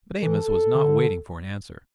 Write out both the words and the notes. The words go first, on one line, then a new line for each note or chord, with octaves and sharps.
But Amos was not waiting for an answer.
E3 A4
D3